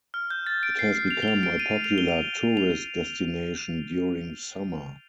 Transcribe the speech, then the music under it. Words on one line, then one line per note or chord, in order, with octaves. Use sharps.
It has become a popular tourist destination during summer.
F6
G6
A6
D7
C7
C7
F7
G7
F7
D7
D#7
F7
G7
F7
F7